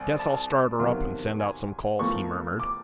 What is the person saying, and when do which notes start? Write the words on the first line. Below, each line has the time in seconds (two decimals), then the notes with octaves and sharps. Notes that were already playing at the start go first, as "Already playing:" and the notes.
"Guess I'll start her up, and send out some calls," he murmured.
Already playing: C2
0.19 A5
0.79 E2 C3 D#3 F#3 A#3
1.39 G#5
1.99 B1 A2 F3 A#3 C#6
2.60 D6